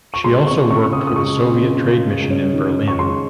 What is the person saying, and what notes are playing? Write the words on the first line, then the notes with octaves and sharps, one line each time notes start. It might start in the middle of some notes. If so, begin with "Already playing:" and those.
She also worked for the Soviet Trade Mission in Berlin.
C#6
G#3 C6
C4 C#6
C#3 C#6
C#3 D#6
D#6
G#3 C#6
C4
C#3
C#3
G#3
C#4
D#3
D#3
C#6
G#3 C6